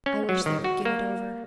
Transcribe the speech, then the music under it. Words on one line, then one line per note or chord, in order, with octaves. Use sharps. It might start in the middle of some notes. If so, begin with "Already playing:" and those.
I wish they would get it over!
C#4
F#3
D#3
F#4
A#3